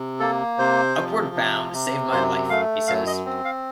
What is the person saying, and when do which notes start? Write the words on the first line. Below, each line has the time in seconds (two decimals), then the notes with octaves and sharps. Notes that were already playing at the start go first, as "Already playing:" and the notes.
"Upward Bound saved my life," he says.
Already playing: C3
0.20 A#3 A4
0.59 C3 C5
0.97 F3
1.35 C3
1.73 C3
2.11 F#2 C5
2.50 A3 F5
2.88 F#2 F5
3.07 D#5
3.26 C4
3.45 F5